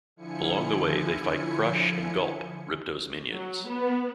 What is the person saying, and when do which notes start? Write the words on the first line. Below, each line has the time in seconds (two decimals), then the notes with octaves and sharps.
Along the way, They fight Crush and Gulp, Ripto's minions.
0.16 D3 F3 E4 G#5 C#7
3.33 F#3
3.67 B3